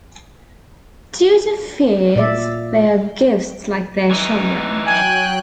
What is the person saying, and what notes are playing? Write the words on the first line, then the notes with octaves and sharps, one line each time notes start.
Due to Phears, they are ghosts like their children.
A#2 D5 E5
E3 D#4
F#3 G5 G#5 F#6